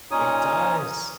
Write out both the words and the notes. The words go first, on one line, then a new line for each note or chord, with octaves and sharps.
It does.
A#2 C#4 D#4 C#5 D#6